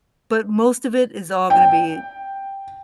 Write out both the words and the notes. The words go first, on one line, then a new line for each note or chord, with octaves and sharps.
but most of it is all gonna be
G5